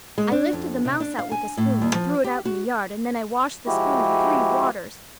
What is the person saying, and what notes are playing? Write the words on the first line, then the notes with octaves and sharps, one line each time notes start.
I lifted the mouse out with a spoon and threw it out in the yard and then I washed the spoon in three waters.
G#3
D4
F2
C3
D4
F5
G#5
A2
D#2
F3
G4
F#4
F3 G#3 E4 F#4 G4